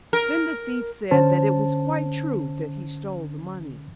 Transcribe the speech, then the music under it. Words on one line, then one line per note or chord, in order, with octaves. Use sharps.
Then the thief said that it was quite true that he stole the money.
A#4
D3 C#4 C5 A5